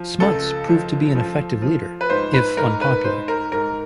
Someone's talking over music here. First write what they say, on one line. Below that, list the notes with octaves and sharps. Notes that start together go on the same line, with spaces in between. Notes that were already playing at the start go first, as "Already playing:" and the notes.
Smuts proved to be an effective leader, if unpopular.
Already playing: F3
C#2 A4
F3
F3
F3
B4
G#2 C5
B4
G#2 A#4
B4
G#2 C5
A#4
G#2 A#4